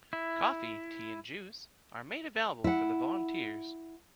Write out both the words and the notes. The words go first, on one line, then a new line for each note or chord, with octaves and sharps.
Coffee, tea and juice are made available for the volunteers.
E4
E4 F#5